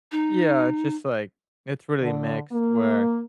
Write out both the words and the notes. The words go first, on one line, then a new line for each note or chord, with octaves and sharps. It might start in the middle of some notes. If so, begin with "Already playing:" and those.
Yeah, it's just like it's really mixed where
D#4
D3
A#3